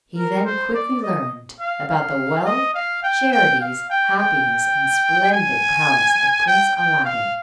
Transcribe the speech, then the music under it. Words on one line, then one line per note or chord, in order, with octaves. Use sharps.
He then quickly learnt about the wealth, charities, happiness, and splendid palace of Prince Aladdin.
A#4
C5
D5
D#5
F5
F5
D#5
F5
G5
G5
F5
G5
G5
G#5
G5
G5
F5